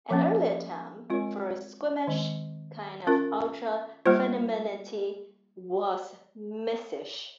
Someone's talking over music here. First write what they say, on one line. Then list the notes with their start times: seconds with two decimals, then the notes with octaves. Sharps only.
An earlier term for a squeamish kind of ultra femininity was "missish".
0.10 F3 A#3 C#4
1.10 G#3 C4 F4 A#4 C#5
2.07 D#3 G#3 C4
3.07 C#4 F4 A#4
4.06 G3 A#3 F4 C5